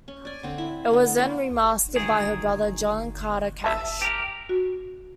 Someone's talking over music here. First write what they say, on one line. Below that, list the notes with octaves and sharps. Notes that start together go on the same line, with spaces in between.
It was then remastered by her brother John Carter Cash.
C#4
D5 G#5
D3 C4
E4
D3 B3
A#3 C#4 C5
D2 D#3 G#4
E5 A5
G4 A#4
F#4